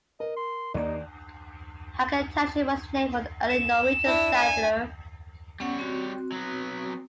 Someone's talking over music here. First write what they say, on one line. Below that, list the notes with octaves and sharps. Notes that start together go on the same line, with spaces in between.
Hagen Township was named for an early Norwegian settler.
A#4 D#5
C6
D#2 G3 A#3 D#4 D5
E7
D4 E4
G#5
G3 B3 C#4 C#5 F#5
C4 F#4
F#3 B3